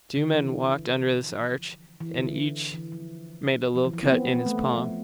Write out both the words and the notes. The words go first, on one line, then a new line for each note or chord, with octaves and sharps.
The two men walked under this arch, and each made a little cut in his palm.
D3
E3
F3
E3
D3
E3
F3
F3
E3
F3
C4
B3
B3
A3
A3
F3